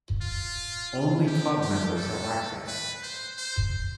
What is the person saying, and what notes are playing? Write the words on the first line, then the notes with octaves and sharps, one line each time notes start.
Only club members have access.
F4
G4
G4
A4
B4
C5
C5